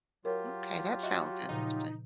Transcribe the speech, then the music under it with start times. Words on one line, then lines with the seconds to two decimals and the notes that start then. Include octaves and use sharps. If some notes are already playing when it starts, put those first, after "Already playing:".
Okay, that sounds interesting.
0.25 F#3 F4 G4 A#4 C#5
1.03 F#4 D#5 E5 F#5
1.49 A#2 C#3 F3 D#4